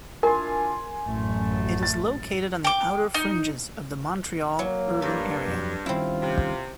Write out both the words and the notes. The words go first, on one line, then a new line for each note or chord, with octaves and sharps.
It is located on the outer fringes of the Montreal urban area.
D4 E4 F4 A#4 G#5 C6
A1 F#2 A3
A6
G5 D6
D#4
F#3 A#3
G2 A4
F2 F#3
D#3 G3 C4 C#4 E4 F4
C3